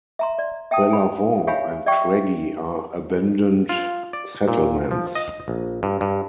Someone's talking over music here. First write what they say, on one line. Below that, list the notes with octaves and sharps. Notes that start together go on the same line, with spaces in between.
Bellavaun and Craggy are abandoned settlements.
E5 A#5 C6
D5
E5 G5 A5 D#6
G#5 B5
G4 C#5 E5 F5 G#5 B5
D5 E5 G5 C#6
F4
D5
A#2
F3
D#5
A#1
G2
G2